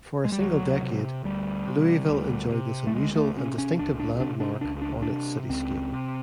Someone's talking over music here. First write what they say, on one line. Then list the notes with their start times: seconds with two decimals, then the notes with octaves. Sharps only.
For a single decade Louisville enjoyed this unusual and distinctive landmark on its cityscape.
0.25 G#3
0.32 G3
0.40 D2 F#3
0.82 C3
1.24 D2 G3
1.68 C3
2.10 D2
2.52 C3
2.87 A3
2.94 D2 G#3
3.15 A3
3.37 C3 C#4
3.58 C#4
3.79 C#2 D4
4.00 D4
4.20 C3 D4
4.40 D4
4.61 C#2 D4
4.82 D4
5.02 C3 D4
5.49 C#2 C4
5.92 C3